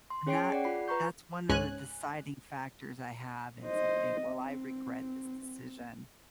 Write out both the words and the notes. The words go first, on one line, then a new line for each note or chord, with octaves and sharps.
And that that's one of the deciding factors I have in something, "Will I regret this decision,"
C6
C#4 G#4 C#5 G5 C7 D7
G#4 D5 F#5
F4 B5 C7
B4 A#5 B5 C#6 G6
C#2 G#2 G#3 C#4 G#5 F#6
C5 D#5
C4